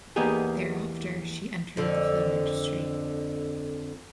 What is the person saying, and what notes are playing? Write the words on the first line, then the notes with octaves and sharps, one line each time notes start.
Thereafter she entered the film industry.
E2 A#3 B3 D#4 G4 G#4
F2 D3